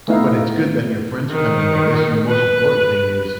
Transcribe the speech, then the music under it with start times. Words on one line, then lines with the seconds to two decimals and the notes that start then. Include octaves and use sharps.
But it's good that your friends kinda noticed, and the most important thing is
0.08 A3 B3 D#4 E4 F5
1.31 D#3
2.29 B4